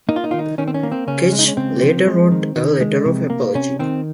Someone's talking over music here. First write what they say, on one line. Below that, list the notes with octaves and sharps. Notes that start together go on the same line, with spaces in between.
Ketch later wrote a letter of apology.
A#3 D#4
F4
D#4
D#3 F4
D#4
D#3 C#4
C4
C#4
A#3
C4
C#3 C#4
G#3
D#4
C#4
C#3 C4
F3
G#3
D#3
D#3
G#3
C3
A#3
C3 C#4
D#3 C4